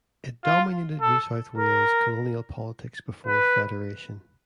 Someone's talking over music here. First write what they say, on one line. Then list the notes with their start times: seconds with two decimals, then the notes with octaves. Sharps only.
It dominated New South Wales colonial politics before federation.
0.45 F4
1.01 A4
1.58 A#4
3.26 B4